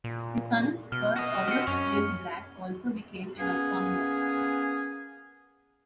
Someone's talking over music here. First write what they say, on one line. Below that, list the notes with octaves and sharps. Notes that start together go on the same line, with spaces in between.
His son, Per-Olof Lindblad, also became an astronomer.
A#2
B2 F6
F#4 D#5
C4 F6 C#7
F#2 C#4
A#3 B3 C#4 G#4